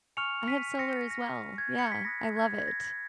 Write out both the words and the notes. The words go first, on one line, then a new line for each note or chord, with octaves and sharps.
I have solar as well, yeah, I love it.
G#5 C#6 F6 C#7 F7
B6 D#7
A#6 C#7
A#6
G#6
C#7
B6
B5 D#6 F#6 A#6
G#6
G#6
A#6